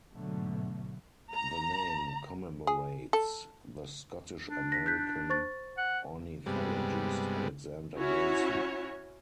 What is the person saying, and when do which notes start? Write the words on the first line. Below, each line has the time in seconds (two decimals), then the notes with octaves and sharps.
The name commemorates the Scottish-American ornithologist Alexander Wilson.
0.13 G#2 B2 D3 F#3 A3
1.33 A#5
2.67 G#4
3.13 A4
4.47 D4
4.72 A#6 B6
4.86 F#6 G6 B6
5.30 C5 C#6 A6
5.78 F#5
6.46 G2 C3 G3 G#3 B3
7.97 C#4 E4 F#4 C#5